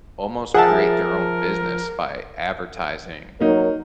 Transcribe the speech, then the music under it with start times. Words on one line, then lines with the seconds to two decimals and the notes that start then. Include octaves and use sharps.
almost create their own business by advertising
0.54 F3 G#4 A#4 E5 F#5 A5
3.40 F#3 A#3 D#4 A#4 C#5